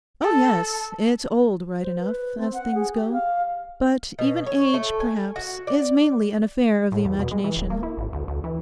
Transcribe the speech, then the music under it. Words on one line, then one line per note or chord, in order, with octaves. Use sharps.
'Oh yes, it's old right enough, as things go; but even age, perhaps, is mainly an affair of the imagination.
A4
C5
B4
C4
F#5
G#4
G4
F5
B2
C#5
A3
G#5
F#4
D5
A2
E2
B2
G#3
E3
D1
A#3
E4
G#1
D2
D2
E3